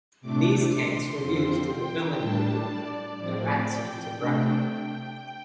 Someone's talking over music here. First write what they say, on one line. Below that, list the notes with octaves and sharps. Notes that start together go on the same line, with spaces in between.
These tanks were used in the filming of the movie "The Rats of Tobruk".
C3 A3 D4 D6
C6
F2 D3 F3 C4 C6
G5
A2 G3 D4 A5
D5
A2 F3 C4
G5
C3 A3 D4 G5